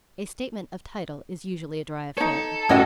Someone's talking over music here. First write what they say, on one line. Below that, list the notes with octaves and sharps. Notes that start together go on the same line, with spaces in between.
A 'statement of title' is usually a dry affair.
D#4 A4 C#5
A1 C#4 E4 F#4 D#5 F#5